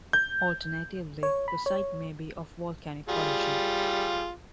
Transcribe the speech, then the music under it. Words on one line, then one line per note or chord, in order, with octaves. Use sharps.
Alternatively, the site may be of volcanic origin.
G6
C#5
B5
C#5
G3 F4 G#4